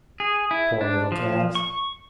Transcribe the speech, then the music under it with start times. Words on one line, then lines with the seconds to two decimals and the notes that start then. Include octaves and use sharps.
Poor little calves!
0.20 G#4
0.51 E4
0.81 D4
1.12 F3
1.55 C#6